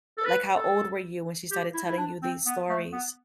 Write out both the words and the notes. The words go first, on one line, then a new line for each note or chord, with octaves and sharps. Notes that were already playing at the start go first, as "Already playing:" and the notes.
Uh, like, how old were you when she started telling you these stories?
A4
B4
A4
G4
E4
E4
D4
C4
B3
A3
B3